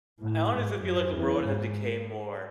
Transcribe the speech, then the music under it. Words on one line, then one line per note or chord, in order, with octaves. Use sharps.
I honestly feel like the world has became more
A2
G#2
F#2
E2
G#2